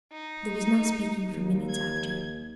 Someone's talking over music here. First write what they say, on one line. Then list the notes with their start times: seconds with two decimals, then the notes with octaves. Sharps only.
There was no speaking for minutes after.
0.13 D#4
1.30 D#2
1.69 G#6